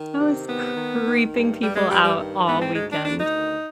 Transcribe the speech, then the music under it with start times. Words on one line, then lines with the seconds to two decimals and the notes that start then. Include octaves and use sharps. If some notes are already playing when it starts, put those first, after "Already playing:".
I was creeping people out all weekend.
Already playing: D#3
0.19 C3
0.48 D#3 B3
0.76 D#3
1.05 D#3
1.34 G2
1.61 G2 G3
1.76 G#3
1.90 G2 G3
2.04 G3
2.19 D#3
2.47 G#2 B3
2.61 C4
2.75 D2 G#3
2.91 D4
3.04 D2 D4
3.19 D#4
3.33 D#3